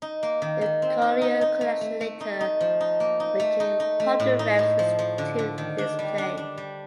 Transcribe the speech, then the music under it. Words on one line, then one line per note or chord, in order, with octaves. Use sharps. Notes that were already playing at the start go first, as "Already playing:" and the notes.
The Collier Collection later became part of the Revs Institute display.
D#4
A#3
D#3
D#3
C4
D#4
D#4
D#4
A3
A3
A3
D#4
D#4
F3
D#4
A#3
D#4
A3
D#4
D#4
A3
A2
D#4
A2
F3
F3
D3
D3
D#3
D4
G3
D4
D4
G3